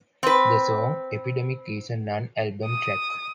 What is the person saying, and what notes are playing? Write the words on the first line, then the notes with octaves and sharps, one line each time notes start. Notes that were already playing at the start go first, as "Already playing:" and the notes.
The song "Epidemic" is a non-album track.
C4 B4
D#6